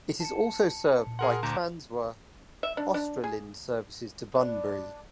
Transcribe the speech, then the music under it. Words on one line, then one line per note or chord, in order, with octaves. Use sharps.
It is also served by Transwa "Australind" services to Bunbury.
A5 C#7
A#2
G#4 A#4 F#5 C6
D2 A#5 D6 G6 E7
E5
D4
D4
G#4
B3 D4